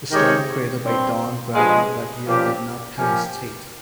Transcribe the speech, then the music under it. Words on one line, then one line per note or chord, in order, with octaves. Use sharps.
The storm created by Don Bradman that year did not pass Tate.
D#3 G#3 D#4 G4 C#5
G2 G3 C4
G2 F3 G#3
A#2 F3 A#3 C#4 G4
F3 A#3 C#4 G4